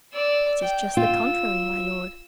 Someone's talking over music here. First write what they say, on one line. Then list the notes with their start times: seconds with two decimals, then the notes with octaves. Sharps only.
'It is just the contrary, my lord!
0.13 D5 E6
0.61 G5
0.97 F4 E6